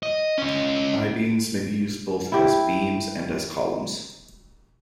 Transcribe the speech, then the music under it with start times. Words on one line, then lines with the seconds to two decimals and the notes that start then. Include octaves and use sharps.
I-beams may be used both as beams and as columns.
0.03 D#5
0.38 C#4 D#5
2.32 E4 G4